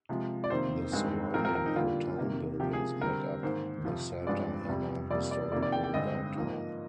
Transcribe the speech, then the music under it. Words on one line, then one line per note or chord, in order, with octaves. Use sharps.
The surrounding old town buildings make up the Santa Ana Historical Downtown.
C3 F3 G#3
D5
F2 C3 D#3 A#3 C5
G2 D#3 G#3 C4
A#2 F3 C4 A#4
A#4
A#4
D#4
D3 G3 A#3 F4
C3 D#3 A#3
C3 F3 A#3 G4
G#4
D3 G3 C4 A#4
G#2 D#3 A#3 C5
F2 C3 F3
G2 F3 G#3 C4 D5
F2 C3 G3
F2 C3 G3 A#3 D5
D5
F2 C3 D#3 A#3 D5
D5
G5
G5
G2 D3 G#3 C4 D#5
G#2 F3 A#3